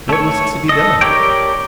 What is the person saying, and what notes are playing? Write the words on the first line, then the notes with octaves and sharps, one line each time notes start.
What was to be done?
A3 C#5
A4 D#5
G4 A#4 C#5 D5 G5